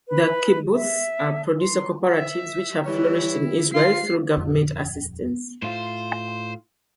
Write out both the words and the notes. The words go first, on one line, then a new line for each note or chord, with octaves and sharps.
The kibbutz are producer cooperatives which have flourished in Israel through government assistance.
B4
E5
C6
E5
E3 G3 E4 C#5
F4 C7
D#1 F2
A2 F4 C5